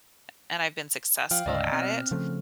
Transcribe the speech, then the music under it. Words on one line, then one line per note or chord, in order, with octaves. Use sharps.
a and I've been successful at it,
F3 F5 G5 F6
D2 G#2 C#3 D5 D#5 E6
B2 C4 F6
C#3 F3 A3